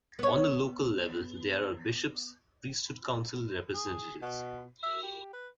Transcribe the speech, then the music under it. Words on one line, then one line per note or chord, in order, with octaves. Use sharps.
On a local level there are Bishops, Priesthood Council representatives.
B3 C#5
G#4
B2
E5
G4
B4